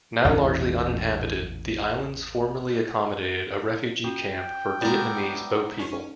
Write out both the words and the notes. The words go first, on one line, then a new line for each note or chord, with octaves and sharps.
Now largely uninhabited, the islands formerly accommodated a refugee camp for Vietnamese boat people.
A1 E2 A#2 C#4
C#4 F4 F#4 G5
A2 G#3 B3 C4 A#4 D5
C#4 D#4 C#6